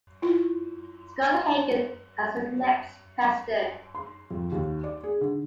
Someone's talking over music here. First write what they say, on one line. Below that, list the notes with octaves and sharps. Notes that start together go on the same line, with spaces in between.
Scott Hagan as the next president.
E4 F4
C6
F2
D#2
D5
G#4
D3